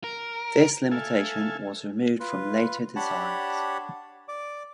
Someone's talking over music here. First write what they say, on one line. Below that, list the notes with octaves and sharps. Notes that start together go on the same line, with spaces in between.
This limitation was removed from later designs.
A#4
A4 E5 F5 G#5
F4 B4
D4 G4 C#5 F#5 A5 B5
D5 D6